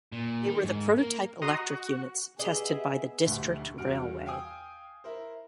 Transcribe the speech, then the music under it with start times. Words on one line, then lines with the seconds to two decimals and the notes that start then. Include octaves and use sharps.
They were the prototype electric units tested by the District Railway.
0.12 A#2
0.45 D#3
0.64 G#2
0.98 A#3
1.42 F#4 D#5 A#5 C6 D#6
1.58 F#4
2.39 B3 G4 G#4 D#5 E5
3.25 F1 D2 B2 A3 E4
3.78 E2 G2 F#4 F6 D7
4.26 F5 G5 G#5 D#6 E6
5.04 E4 A#4 C5